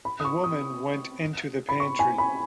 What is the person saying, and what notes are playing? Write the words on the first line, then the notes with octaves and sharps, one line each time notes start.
The woman went into the pantry.
B5
D#6
C#6
D#6
B5
C#6
G#5
B5